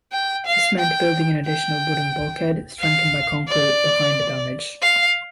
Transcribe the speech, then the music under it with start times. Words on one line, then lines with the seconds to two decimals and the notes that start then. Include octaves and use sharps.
This meant building an additional wooden bulkhead, strengthened by concrete, behind the damage.
0.12 G5
0.46 F5
0.79 G5
1.46 G5
2.80 F5
3.48 D5
4.82 F5